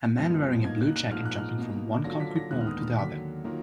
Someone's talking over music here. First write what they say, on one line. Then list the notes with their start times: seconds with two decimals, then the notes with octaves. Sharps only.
A man wearing a blue jacket jumping from one concrete wall to the other.
0.18 F#2 F3 G#3 B3
0.64 B2 A#3 D#4 G#6
0.81 F#6
0.96 F#6
1.11 G#2 F3 A#3 D#4 F6
1.25 F#6
1.38 F6
1.58 B2 A#3 D#4
2.04 D3 F#3 D4 F4 A#6
2.20 B6
2.36 A#6
2.51 D#2 D3 G#3 B3 D#4 F#6
2.61 F6
2.67 D#6
2.83 F6
2.98 D#2 D3 F#3 B6
3.44 D#3 F#3 A#3 F4